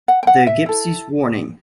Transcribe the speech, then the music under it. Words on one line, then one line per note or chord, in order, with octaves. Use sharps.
"The Gypsy's Warning".
F#5
G5
F#5
E5
E4 A4